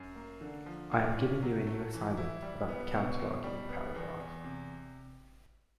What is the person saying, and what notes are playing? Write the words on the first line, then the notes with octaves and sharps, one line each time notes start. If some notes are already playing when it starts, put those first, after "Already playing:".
I am giving you a new assignment about the counterargument paragraph.
Already playing: F#2
A#3
D3
F3
A#2
C#4
F#3
A3
E3
E4
G3
B3
B2
B2
G3
B3
E2
E2
C3